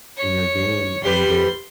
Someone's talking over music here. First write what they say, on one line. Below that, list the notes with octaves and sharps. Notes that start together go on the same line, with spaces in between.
in your game, and it
C#5
G3 G4 B4 C6